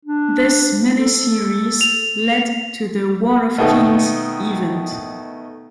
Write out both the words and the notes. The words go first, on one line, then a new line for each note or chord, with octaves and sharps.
This mini-series led to the War of Kings event.
D4
A4
F7
B2 D#3 A3